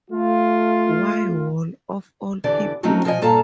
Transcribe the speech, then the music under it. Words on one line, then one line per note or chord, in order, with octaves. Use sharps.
Why Wall, of all people?
A3 F4
E2 D3 E3 G4 D5
F3 F#3 A3 C4 C#4 D#4
B2 F3 A#4 D5 D#5 G#5
G2 A#2 A4 F5 A5 A#5